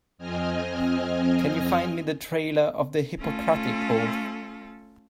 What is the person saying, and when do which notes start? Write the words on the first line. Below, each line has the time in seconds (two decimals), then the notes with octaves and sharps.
Can you find me the trailer of the Hippocratic Oath?
0.18 F2 C4 D#5 G#5 F6
3.18 A3 C#4 F4 A4